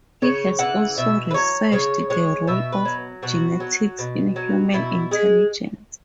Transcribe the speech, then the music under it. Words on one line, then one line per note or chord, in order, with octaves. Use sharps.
He has also researched the role of genetics in human intelligence.
C#3 C#5
E3 F#5
B2 E5
B4
F#3 C#5
C#3 C#5
G#3 C#5
B2 E5
B4
F#3
B2 F#4
F#3
B2
F#3
B2 E4
G#3 G#4